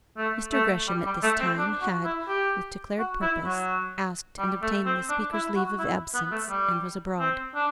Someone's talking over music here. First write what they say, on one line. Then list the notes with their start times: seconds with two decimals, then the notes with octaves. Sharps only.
Mr. Gresham at this time had, with declared purpose, asked and obtained the Speaker's leave of absence and was abroad.
0.17 A3
0.52 A3
0.88 G3
1.05 G3
1.23 A3
1.40 C4
1.58 D4
1.81 F#4
2.05 E4
2.28 G4
2.99 F#4
3.21 E4
3.45 F#3
4.39 G3
4.62 A3
4.85 C4
5.09 D4
5.33 E4
5.56 F#4
5.79 E4
6.14 B3
6.31 A3
6.49 G3
7.19 C4
7.55 D4